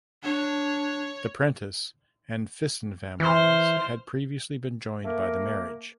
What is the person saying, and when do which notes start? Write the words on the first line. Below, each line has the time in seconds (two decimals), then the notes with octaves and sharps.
The Prentice and Fison families had previously been joined by the marriage.
0.23 D4 C#5
3.20 E3 C5 F6
5.03 A3 A#3 A#4